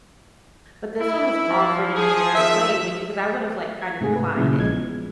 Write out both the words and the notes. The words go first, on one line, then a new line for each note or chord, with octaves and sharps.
but this one was offered in a different way, which because I would've like kind of declined it.
E4
F3
G#4
D#3 E5
G#6
G#2 C3 A3 G#4
B4
A#2 C#3 F#3 E4
A#1 F3 G#3 G#6
B3